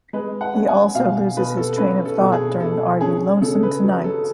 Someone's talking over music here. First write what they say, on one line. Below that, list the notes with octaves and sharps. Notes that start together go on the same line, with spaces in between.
He also loses his train of thought during Are You Lonesome Tonight?
G#3 B4
F#5
C#4
G#5
B2 F5
B2 B4
A4
C#4 B4
A4
B2
G#4
B2 A4
C#4 G#4
C#3 A4
B4
F#3
A4